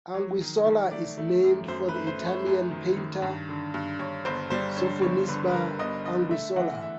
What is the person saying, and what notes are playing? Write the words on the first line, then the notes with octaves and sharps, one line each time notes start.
Anguissola is named for the Italian painter Sofonisba Anguissola.
F#3 C#5
D#3
D#3
A3 D5
A3
F#2
F#2 C5
B4
A3
C5
A3
C#5
F#2
D#3
D#3
G2
D3
G2
G2 C#5
G1 C5
G3 C5
D3 C#5
G1 C#5
D3 B4
B4
D3 A#4
G1 D#5
D3 D#5
A3 E5
E3 F#5
E5